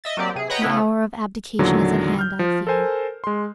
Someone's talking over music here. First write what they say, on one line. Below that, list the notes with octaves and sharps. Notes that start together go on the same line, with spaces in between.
The hour of abdication is at hand, I fear.
D#5 E5 A6
F#3 A#3 C4 G4 D5
C3 G#4
B4 C#5 D#5 F#5 G5 A#5
C#3 A3 B3 C#4 E4
E2 A#2 D3 D#3 F#3
F6 G6
F3
A4 A#4 C5 G#5
G#3 C6